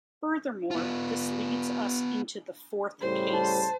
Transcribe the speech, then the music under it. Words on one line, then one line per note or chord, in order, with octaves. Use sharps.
Furthermore, this leads us into the fourth case.
B3 F4
A2 C#3 G3 C5
A5